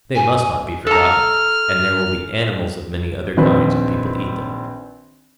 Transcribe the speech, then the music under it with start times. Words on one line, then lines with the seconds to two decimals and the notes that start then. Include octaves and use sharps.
They must not be forgotten: and there will be animals of many other kinds, if people eat them.
0.15 G#5
0.87 A4 A#5 F6
3.37 A#1 D#3 C4 B4